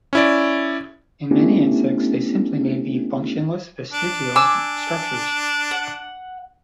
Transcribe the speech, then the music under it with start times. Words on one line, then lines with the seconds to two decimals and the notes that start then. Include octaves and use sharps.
In many insects, they simply may be functionless vestigial structures.
0.13 C#4 E4 D5
1.31 A3 B3 C#4 D4 E4 G4
3.93 D4
4.36 G#5 D6 E6
5.71 F#5